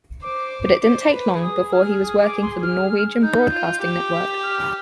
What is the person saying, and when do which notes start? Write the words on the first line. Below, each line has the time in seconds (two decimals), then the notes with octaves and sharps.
But it didn't take long before he was working for the Norwegian broadcasting network.
0.22 C5 D6
0.83 C5
1.13 B4
1.42 G#4 D#6
1.68 D#6
1.73 F6
2.03 D#6
2.22 D6
2.42 C6
2.62 F6
3.22 D#4 G6
3.53 F4
3.83 G4
4.43 F6